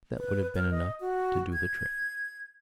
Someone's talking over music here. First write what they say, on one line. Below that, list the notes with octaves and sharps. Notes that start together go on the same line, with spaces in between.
That would have been enough to do the trick.
B4
A#4
D#5
F#4
G#6